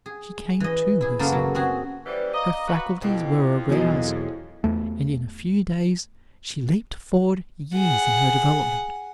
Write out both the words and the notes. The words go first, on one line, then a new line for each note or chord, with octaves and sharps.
She came to herself; her faculties were aroused, and in a few days she leaped forward years in her development.
G#4
E3 D#5
E4 G#4
F#2 C#3 A#3 B3 A4 F5
F#3
C4 F#4 G#4
E3 G3 B4 C5 D5
D#5 F5 A#5 D6
F#4 B4
F2 B2 C4 E4 G4 G5
E2 B2 F#3 G#3 A#3 C#4 E4
E2 A3
G#4 F#5